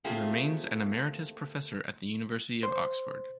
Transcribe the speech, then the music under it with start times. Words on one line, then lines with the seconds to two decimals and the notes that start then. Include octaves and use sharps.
He remains an emeritus professor at the University of Oxford.
0.04 A3 A#3 C4 F4 G4 G#4
2.63 C5